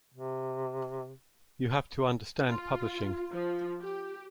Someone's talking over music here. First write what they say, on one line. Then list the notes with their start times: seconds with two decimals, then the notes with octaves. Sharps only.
You have to understand publishing.
0.14 C3
2.48 F4
3.32 F3
3.80 G4